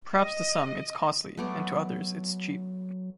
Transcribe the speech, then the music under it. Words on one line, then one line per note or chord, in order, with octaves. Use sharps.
Perhaps to some its costly and to others it’s cheap.
D#5
F#3 A3 B3 D5